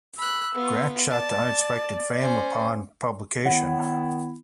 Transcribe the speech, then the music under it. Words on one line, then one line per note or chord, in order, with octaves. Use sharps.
Grant shot to unexpected fame upon publication.
B5 E6 F#6
B3 F4
D5 A5
C#4 C5
D#3 B3 E4 C#5 F#5